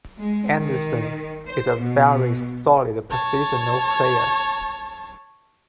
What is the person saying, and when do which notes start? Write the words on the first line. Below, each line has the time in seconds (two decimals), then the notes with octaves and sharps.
Andersson is a very solid positional player.
0.18 G#3
0.58 D#3
1.49 C5
1.82 B2
3.10 C#5 A5